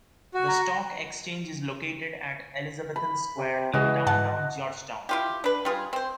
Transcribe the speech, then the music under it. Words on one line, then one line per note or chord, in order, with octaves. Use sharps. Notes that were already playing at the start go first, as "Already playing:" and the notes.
The stock exchange is located at Elizabethan Square in downtown George Town.
F#4
A#5
B5
C3
C#3 E3 G#3 F#4 D#5
G#2 F#5 A5
E4 F4 G4
D4 B4
G3 F4 G#4
C4 C5